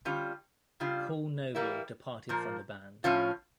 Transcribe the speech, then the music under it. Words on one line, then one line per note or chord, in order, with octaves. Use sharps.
Paul Noble departed from the band.
D3 G3 C#4 F4
C#3 G3 D4 F4
E3 G3 A#3 E4
A#2 F3 A#3
A2 F3 C#4 F4